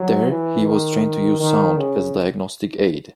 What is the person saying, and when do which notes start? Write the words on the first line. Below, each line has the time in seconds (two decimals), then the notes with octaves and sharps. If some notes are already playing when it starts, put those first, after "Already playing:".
There he was trained to use sound as a diagnostic aid.
Already playing: F#3
0.29 E3
0.66 D#3
1.40 D#3
1.77 C#3